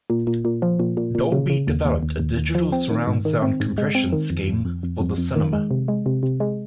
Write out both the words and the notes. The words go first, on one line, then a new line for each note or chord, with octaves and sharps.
Dolby developed a digital surround sound compression scheme for the cinema.
A#2
A#2
A#2
F3
A#2
A#2
A#2
C#3
C#3
D#2
D#2
D#2
D#2
D#2
F3
C4
D#3
G#2
D#3
C4
G#2
G#3
C4
D#3
F2
F2
F2
F2
F2
F2
D#3
G#3
C3
G#3
C3
C3
G#3